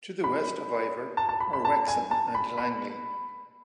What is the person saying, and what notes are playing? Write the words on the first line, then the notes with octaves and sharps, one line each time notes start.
To the west of Iver are Wexham and Langley.
B5
A5
A5
B5
B5
A5
G#5
A5
B5
B5